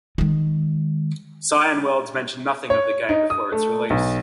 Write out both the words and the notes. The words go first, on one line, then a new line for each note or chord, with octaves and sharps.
Cyan Worlds mentioned nothing of the game before its release.
D#3 G#3
C#5
D#4
D#6
A3
B1